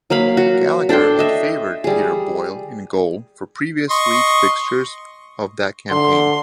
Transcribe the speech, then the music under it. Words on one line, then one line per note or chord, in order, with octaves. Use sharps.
Gallagher had favoured Peter Boyle in goal for previous league fixtures of that campaign.
F#3 A#3 F5 B5
F#4
D4 A4 G5 C6
D#5 E5
G3 G#4
D#5 C6 C#6
D3 C6